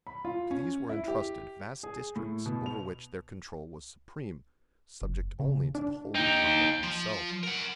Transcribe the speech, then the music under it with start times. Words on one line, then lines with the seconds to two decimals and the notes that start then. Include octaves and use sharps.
To these were entrusted vast districts over which their control was supreme, subject only to the Holy Father Himself.
0.07 B5
0.25 F4
0.51 C#4
0.89 E4
1.08 G4
1.83 G#4
2.16 A2
2.46 B2
2.66 F7
5.02 F#1
5.40 C#3
5.75 D4
6.15 D#2 D#4 G5
6.83 F3
7.43 A#4 F#5